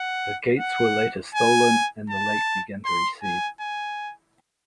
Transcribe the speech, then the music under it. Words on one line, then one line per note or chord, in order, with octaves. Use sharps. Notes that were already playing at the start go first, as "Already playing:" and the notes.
The gates were later stolen and the lake began to recede.
Already playing: F#5
F#5
G#5
A5
C6
G#5
G#5